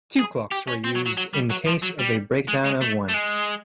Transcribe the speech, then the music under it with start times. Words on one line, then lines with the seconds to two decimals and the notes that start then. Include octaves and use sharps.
Two clocks were used in case of a breakdown of one.
0.19 G#4
0.52 G4
0.68 C#4
0.84 C4
0.96 F#3
1.06 F#3
1.17 F#3
1.34 G3
1.50 F#3
1.66 F3
1.82 F#3
1.99 G3
2.48 G#3
2.64 G#3
2.81 A3
3.08 A3
3.14 G#3